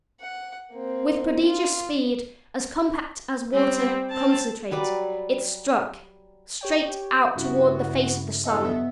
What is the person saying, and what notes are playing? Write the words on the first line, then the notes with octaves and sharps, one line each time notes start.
With prodigious speed, as compact as water, CONCENTRATE, it struck--straight out toward the face of the sun.
F#5
A#3 C4
F4
G3 C4
C4 A5
F#3 G3 B4 D5
G4 C#5 G5
G2 C#3 B3 E4 F#4
E2 G2 A4 D#5
B3 E5